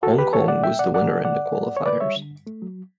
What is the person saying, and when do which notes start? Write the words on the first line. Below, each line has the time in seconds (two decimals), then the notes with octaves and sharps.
Hong Kong was the winner in the qualifiers.
0.03 E2 F#4 A4
0.18 E2 G4 B4
0.33 B2 A4 C#5
0.48 G3 D5 F#5
0.64 E2 E5 G5
0.79 B2 D5 F#5
0.94 E2 D5 F#5
1.10 E2
1.24 D3 D5 F#5
1.40 G2
1.55 G2
1.70 G2
1.77 C#5
1.85 D3 B4 D5
2.00 G3 C#5 E5
2.16 D3
2.31 G2
2.47 A3
2.62 F#3